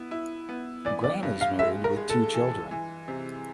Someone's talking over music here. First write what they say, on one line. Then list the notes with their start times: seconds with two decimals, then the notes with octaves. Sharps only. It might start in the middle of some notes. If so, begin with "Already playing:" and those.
Graham is married with two children.
Already playing: B3 E4
0.11 E4
0.49 B3
0.85 E3 D5
1.04 D5
1.23 G2
1.41 F5
1.59 G#3 E5
1.84 A#4
1.97 G#3
2.10 A4
2.34 E3
2.71 E3
3.08 C3